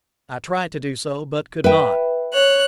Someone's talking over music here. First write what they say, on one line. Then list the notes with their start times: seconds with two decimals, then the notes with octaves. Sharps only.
I tried to do so, but could not.
1.64 B4 E5 G5
2.33 C#5 F#6